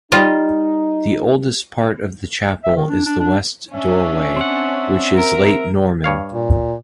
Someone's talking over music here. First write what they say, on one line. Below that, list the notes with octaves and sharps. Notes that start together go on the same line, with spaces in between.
The oldest part of the chapel is the west doorway, which is late Norman.
G3 D#4 F4 D#5
E5
D#3
D4
D4
D4
C#4 D4 E5
C4 F#5
A#4 A#5
G2 C#5 F5
A#2